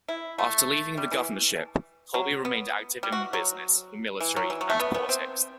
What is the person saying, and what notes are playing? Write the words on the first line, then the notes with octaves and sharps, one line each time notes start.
After leaving the governorship, Colby remained active in business, the military and politics.
E4
A3
G3
E3
F#3
B3
G3
F#4
F#3
E3
F#3
E3
F#3
A3
B3
B3
C4